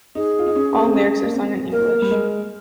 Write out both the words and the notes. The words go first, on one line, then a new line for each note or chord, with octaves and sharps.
All lyrics are sung in English.
D#4 G#4
F4
D#4
C#4
A#3
C4
C#4
A#3
C4
A#3 A#4
G3
G#3